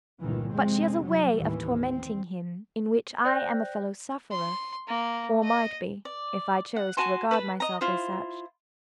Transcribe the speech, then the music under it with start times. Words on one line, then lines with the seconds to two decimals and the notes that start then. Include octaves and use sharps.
But she has a way of tormenting him, in which I am a fellow-sufferer, or might be, if I chose to regard myself as such.
0.19 G1 C#2 A#2 D#3 E3
0.51 F2 C3 G#3 C4
1.03 F#3 G3
1.37 A1 D#2 E3
1.81 C4
3.25 C5 D5 G5 F#6 G6 A#6
4.31 C6
4.88 A#3
5.44 D#5
6.05 D5
6.76 F#5
6.97 F#4 G#5 A5 C6
7.31 B4 A5 B5
7.60 D#5 A#5
7.81 E4 F4 C5